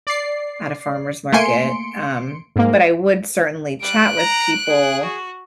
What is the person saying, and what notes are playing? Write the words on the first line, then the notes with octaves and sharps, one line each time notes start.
at a farmer's market, um, but I would certainly chat with people
D5 C7
A3 A#3 G#5 C6 C#7 D7
G#2 A#3
G3 F#6 D7
A#5
G#4
F#4